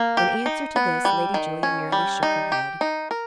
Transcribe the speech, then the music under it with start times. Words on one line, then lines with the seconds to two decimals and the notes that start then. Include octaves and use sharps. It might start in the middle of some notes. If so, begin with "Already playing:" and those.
In answer to this Lady Julia merely shook her head.
Already playing: A#3
0.17 G4
0.46 D#4
0.76 B3
1.05 G3
1.34 D#3
1.63 C#4
1.92 G3
2.23 D#4
2.52 G4
2.81 D#4
3.11 A#4